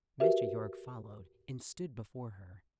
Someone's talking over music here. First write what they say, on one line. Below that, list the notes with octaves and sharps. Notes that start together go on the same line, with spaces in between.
Mr. Yorke followed and stood before her.
F#4 G4 A#4 B4 E5